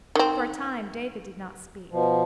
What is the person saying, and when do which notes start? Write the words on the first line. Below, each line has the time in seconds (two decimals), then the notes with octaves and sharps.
For a time David did not speak.
0.15 D#3 C4
1.91 B2 F3